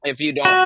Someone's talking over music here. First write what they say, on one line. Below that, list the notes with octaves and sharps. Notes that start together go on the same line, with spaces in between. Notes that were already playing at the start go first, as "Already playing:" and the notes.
if you don't
F#4